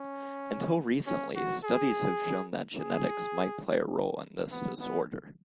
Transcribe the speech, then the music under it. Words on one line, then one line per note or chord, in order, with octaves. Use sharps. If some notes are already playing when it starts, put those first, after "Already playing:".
Until recently, studies have shown that genetics might play a role in this disorder.
Already playing: C#4
C#4
F#4
G#4
G#4
B3
B3